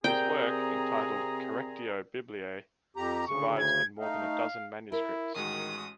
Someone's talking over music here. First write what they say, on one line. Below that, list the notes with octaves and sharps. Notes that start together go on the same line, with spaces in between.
His work, entitled "Correctio Biblie", survives in more than a dozen manuscripts.
C3 C4 G#4 A#4 D5 G5 A#5
F2 G4 A#5
D2 C#3 C#6
G#6
A3 D#4 F5
E4 A#4
A1 D#3 G#3 F#4 D#6